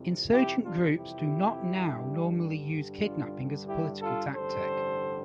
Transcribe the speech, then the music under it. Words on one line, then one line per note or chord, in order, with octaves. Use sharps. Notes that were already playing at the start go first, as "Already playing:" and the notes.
Insurgent groups do not now normally use kidnapping as a political tactic.
Already playing: F2 C3 E3 G3
E4 G4
D4 F4
E4 G4
G2 D3 G3
D4 F4
E4 G4
F4 A4
A1 G2 D3 G3 A4 C5